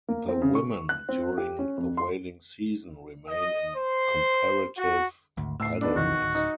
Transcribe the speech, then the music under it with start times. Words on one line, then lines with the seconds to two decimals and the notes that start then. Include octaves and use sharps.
The women during the whaling season remain in comparative idleness.
0.08 A#3
0.29 C4
0.42 C#3
0.55 C#6
0.89 F#6
1.09 C4
1.38 G4
1.59 C#4
1.77 F2
1.97 C6
3.26 D#5
3.73 C5
4.76 F#4
5.37 G#1 D2
5.60 A2 E6 C7
5.81 D#3 B3 D4
5.96 B1 F2 D#3 E3 F#4
6.22 D1
6.35 D#4